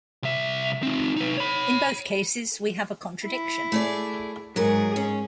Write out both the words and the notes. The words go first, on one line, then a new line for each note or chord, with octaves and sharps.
In both cases, we have a contradiction.
C2 E5
C4 D#4
D#4 B4
C#5 B5
E4
A3 G#4 D5
G#2 F#3 G#4 A#4
C#4